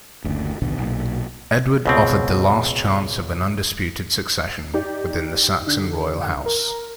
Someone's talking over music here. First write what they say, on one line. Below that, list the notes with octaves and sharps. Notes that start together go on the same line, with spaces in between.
Edward offered the last chance of an undisputed succession within the Saxon royal house.
F#1 D2
A#1 D#2 B2 D3
B1 A#2
C#2 B2 C4
D#4 G4 D5
D3
A#4